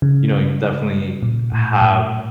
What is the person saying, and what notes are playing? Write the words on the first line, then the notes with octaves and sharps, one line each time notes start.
you know, you definitely have
C#3
A#2
A2
A2